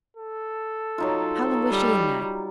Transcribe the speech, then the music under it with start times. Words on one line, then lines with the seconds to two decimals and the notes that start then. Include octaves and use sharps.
"How long was she in there?"
0.17 A4
0.98 F#3 D#4 F4
1.70 G3